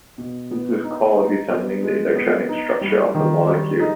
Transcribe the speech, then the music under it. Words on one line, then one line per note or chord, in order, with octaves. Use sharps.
This is called determining the electronic structure of the molecule.
B2
B3
D#4
D#4
B3
G#3
B3
D#4
G3
D#3
G3
D#4